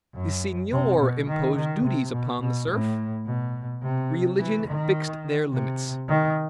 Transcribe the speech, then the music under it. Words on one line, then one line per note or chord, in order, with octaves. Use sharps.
The seignior imposed duties upon the serf; religion fixed their limits.
F#2
C3
B2
D#3
D#3
C3
B2
B2
A2
B2
C3
E3
D#3
C3
D#3